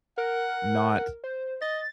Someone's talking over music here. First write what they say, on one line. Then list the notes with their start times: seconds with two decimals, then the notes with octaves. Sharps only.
not v
0.18 A#4 F#5
1.24 C5
1.62 D#5 A6